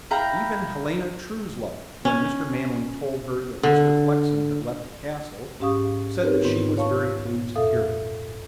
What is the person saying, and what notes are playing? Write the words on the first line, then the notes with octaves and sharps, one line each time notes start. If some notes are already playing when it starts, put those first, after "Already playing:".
Even Helena Truslove, when Mr. Manley told her that Mr. Flexen had left the Castle, said that she was very pleased to hear it.
E4 F5 G5 A#5
C#4
D3
G#2 C#4 G4 F5 C#6 D#6
C4 D#4 G4 A#4 B4 C#5
G#2 D#3 B3 F4
C#5 F5 A5 C#6
F2 A#2 A4 E5 F5 D#6